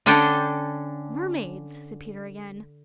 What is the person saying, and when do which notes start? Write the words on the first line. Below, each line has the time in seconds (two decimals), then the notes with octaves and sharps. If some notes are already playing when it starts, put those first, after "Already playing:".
"Mermaids!" said Peter again.
0.06 D3 C#4 D4 A4 G5